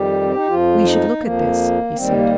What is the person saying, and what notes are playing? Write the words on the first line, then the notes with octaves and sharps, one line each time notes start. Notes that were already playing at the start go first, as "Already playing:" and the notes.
"We should look at this!" he said.
Already playing: F2 D#3 G3 G4
C4
D#4
F2 F3 F4
D#4
F2 F3 A#3
D#2 D#3 G3 C4
A#3